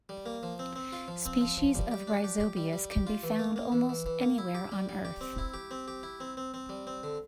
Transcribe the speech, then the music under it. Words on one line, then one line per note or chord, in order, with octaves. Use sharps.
Species of "Rhyzobius" can be found almost anywhere on Earth.
G3
A#3
F3
C4
C4
F4
F3
C4
F3
F3
G3
G4
D4
G4
G4
G3
G3
G4
F4
E3
A#3
A#3
E3
E3
E3
A#3
E4
G4
G3
G3
G4
C4
E4
G4
C4
G4
E4
C4
C4
C4
G3
C4
D3